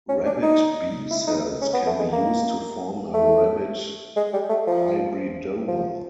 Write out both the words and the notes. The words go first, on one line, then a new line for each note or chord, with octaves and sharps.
Rabbit B-cells can be used to form a rabbit hybridoma.
C#4
D4
D#4
E4
D#4
C#4
B3
A3
G#3
A#3
A3
G#3
G3
A3
F3
F3